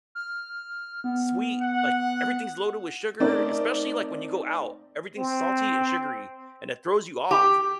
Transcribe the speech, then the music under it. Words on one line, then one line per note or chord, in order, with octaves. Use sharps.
sweet, like, everything's loaded with sugar, especially, like, when you go out. Everything's salty and sugary, and it throws you off.
F6
B3
F#5
A3 C4 D#4 A#4 D5
C4
G4